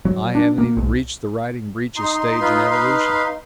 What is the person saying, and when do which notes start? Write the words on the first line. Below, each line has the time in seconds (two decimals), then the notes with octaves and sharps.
I haven't even reached the riding-breeches stage in evolution.
0.05 F#3
0.35 D4
0.58 A#3
0.77 B1
1.96 D#4 C6
2.41 F4 B4
2.71 B4 F5